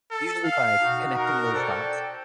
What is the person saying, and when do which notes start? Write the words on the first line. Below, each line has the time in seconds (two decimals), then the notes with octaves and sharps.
usually by connecting those dots,
0.11 A4
0.44 F5
0.80 B2 D#4 F#4
1.15 A#4
1.54 A4 C5 D5 G5